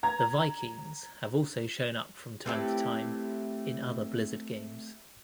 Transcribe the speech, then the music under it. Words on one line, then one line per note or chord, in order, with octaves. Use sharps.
The Vikings have also shown up from time to time in other Blizzard games.
A#5 G#6
A3 C4 E4 G4 A4 B4